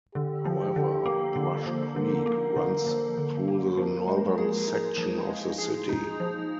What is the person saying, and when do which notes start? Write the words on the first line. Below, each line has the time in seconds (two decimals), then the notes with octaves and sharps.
However, Brush Creek runs through the northern section of the city.
0.15 D3 G4
0.45 F3
0.76 D3
1.06 A#3
1.36 D3
1.66 F3
1.96 D3 A#4
2.26 A#3
2.56 D3
2.87 F3
3.18 D3
3.48 A#3
3.77 F3 A#4
4.08 G#3
4.38 G#4
4.68 D#4
4.98 F3
5.29 G#3
5.58 G#4
5.89 D#4
6.20 F3